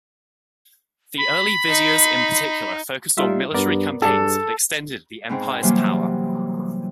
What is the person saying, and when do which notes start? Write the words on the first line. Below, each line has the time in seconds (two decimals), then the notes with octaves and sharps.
The early viziers in particular focused on military campaigns that extended the Empire's power.
1.18 B5
1.68 D#4
3.18 G3 D#4 F4 E5
3.55 G2 B3 A#4 D5
4.02 G2 D4 G#4 A4
5.29 G#2 B3 C4
5.62 C3 E3 F#3 G3 A#3 C#4